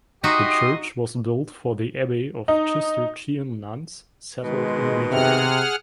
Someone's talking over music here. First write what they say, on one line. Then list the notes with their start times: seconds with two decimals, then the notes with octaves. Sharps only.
The church was built for the abbey of Cistercian nuns settled in Riga.
0.24 D#4 F#4 G4 D#5 E5 C6 D#6
2.48 D#4
4.43 G#2 B2 D#3 G#3
5.11 C3 G#4 F#5 F6